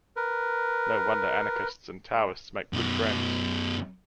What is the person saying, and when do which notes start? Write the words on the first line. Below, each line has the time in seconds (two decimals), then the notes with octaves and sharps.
No wonder anarchists and Taoists make good friends.
0.16 A#4 B4
2.12 G#3
2.73 F#2 B2